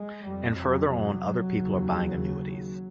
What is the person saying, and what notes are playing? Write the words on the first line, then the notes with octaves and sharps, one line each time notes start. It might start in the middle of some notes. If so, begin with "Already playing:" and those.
And further on other people are buying annuities.
Already playing: G#3
F2 C3 G3
F#3
F#3
D#2
C#3